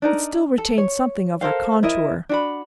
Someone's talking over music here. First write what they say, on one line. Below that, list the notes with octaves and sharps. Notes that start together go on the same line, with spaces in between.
It still retained something of her contour.
D4 D#4 A#4
A4
C#5
A4 A#4 C5 F5
E4 A#4 D#5 E5
D4 F#4 B5